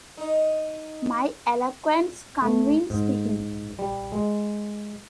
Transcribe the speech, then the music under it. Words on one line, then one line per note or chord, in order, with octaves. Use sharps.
My eloquence convinced him.
D#4
A3
G#2
G3
G#3